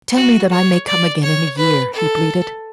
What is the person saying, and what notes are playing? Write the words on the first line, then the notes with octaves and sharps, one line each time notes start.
"Tell me that I may come again,--in a year," he pleaded.
F#4
C#5
D5
C#5
B4
A4